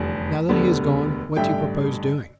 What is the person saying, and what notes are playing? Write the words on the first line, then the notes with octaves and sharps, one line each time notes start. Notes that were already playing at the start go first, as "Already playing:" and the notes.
"Now that he has gone, what do you propose doing?"
Already playing: F1 E2 D3 G3
E1 D2 D3 G3 B3
A1 G2 D3 G3 E5 G5